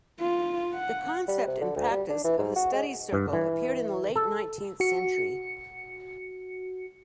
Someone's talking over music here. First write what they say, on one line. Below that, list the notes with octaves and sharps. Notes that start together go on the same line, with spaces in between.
The concept and practice of the study circle appeared in the late nineteenth century.
F4
F#5
G3
C3
D3
D2
G3
D4
E3
G#2
F#4
G#3
G2
E3
A4
F#4 C#7